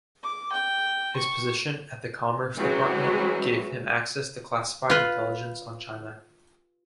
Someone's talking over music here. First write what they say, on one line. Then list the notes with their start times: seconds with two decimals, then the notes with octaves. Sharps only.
His position at the Commerce Department gave him access to classified intelligence on China.
0.23 D6
0.52 G5
1.16 C#6
2.56 E3 F#3 G#3 C4 C#4
4.90 F4 B4